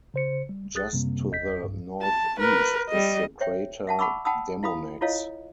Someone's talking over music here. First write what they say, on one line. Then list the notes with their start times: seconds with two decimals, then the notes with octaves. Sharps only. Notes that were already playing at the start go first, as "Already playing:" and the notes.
Just to the northeast is the crater Demonax.
0.14 C#3 C5 C#7
0.49 G3
0.74 B1 G#4 D#6 F#6 A6
0.93 F#2 C3 G3 A#3 C4
1.30 G1 E2 D#5 G6 B6
1.63 B1 G2
2.02 A5
2.40 A#4 B4
2.89 G3 D#5
3.40 C5 C#5 E5 G5
3.87 E5 F#5 A5
3.99 F#5 A5 B5 C#6 D6 E6
4.25 F#5 G5 A5 B5 D#6 E6
4.63 E4 F5 B5 D#6
5.01 E4 F4 A4 C#5 D#5 F5